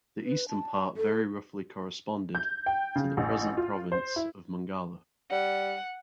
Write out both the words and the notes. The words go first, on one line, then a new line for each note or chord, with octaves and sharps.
The eastern part very roughly corresponded to the present province of Mongala.
B4
A5
A4
G6
G5
C#3
A1
F4
C5
E4
G3 F#5